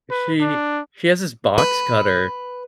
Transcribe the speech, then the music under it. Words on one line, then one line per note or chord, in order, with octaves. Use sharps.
she she has this box cutter
B4
D4
B4